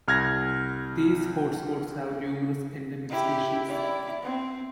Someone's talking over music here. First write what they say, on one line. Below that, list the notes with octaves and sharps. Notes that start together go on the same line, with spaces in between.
These hotspots have numerous endemic species.
C2 F6 G#6 A#6
E4 G4
E4 D5
C4